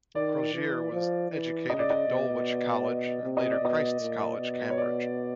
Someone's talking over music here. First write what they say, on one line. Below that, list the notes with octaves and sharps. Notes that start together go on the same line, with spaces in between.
Crozier was educated at Dulwich College, and later Christ's College, Cambridge.
D#3 D5
E3
F3
E3
C#3 D#5
D5
D#5
B2
C3
D#5
D5
B2 D#5
A#2
B2
C#5
D5